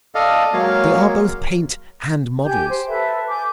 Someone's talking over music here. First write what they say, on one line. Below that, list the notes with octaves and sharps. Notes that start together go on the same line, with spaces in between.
They are both paint and models.
A4 D5 D#5 F5
F#3 G#3 A#3 C#5 F5
G4 G#5 G6
C5
A4 B4 E5
G#5 D6 G6